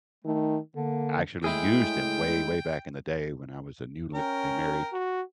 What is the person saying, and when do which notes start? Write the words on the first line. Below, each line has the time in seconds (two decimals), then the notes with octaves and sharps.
actually used them way, way back in the day when I was a newly married
0.25 D#3 A3
0.76 D3 A#3
1.44 A2 G#3 E4 G#4 G5
4.14 C#4 A#4 G5
4.93 F#4